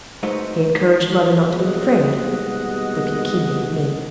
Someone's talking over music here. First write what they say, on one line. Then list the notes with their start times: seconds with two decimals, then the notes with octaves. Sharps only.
He encouraged mother not to be afraid, looking keenly at me.
0.23 G#3 A3 D#4 F#4 B4 C5
1.46 D#2 B2 G3 G#3 D#5 F#5